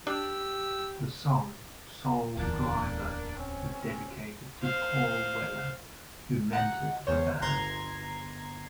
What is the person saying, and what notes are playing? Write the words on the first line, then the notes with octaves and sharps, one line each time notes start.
The song "Soul Driver" is dedicated to Paul Weller, who mentored the band.
D4 G4 E6
D1 E2 A#3 D4
C4 C#4
C5 F5
D#4 F#5
E2 C5 C#5
G1 A#5 C6 G#6